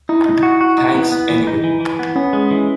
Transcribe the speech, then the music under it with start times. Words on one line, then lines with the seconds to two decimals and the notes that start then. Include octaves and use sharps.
Thanks anyway.
0.09 D#4 E4
0.26 D#4
0.43 F#4
0.61 F#4
0.78 D#4
0.95 B3
1.12 B3
1.30 E3
1.47 D#4
1.64 E3
1.81 E3
1.99 B3
2.16 B3 C#4
2.33 G#3
2.51 E3